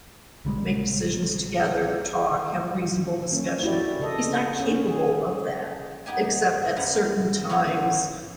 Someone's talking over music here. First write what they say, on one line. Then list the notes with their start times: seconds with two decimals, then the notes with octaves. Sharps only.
make decisions together, talk, have a reasonable discussions, he's not capable of that except at certain times,
0.45 A#1 C#3 G3 G#3
3.32 A#3 C#4
3.63 E4 F#4 G4 D5
4.00 C#3 A4 D#5
4.60 C#4
4.88 G#4
6.06 B3 D#4 G4 G#5
6.76 F#2 B4 F#5 A#5
7.49 B3 C#4 E4 F4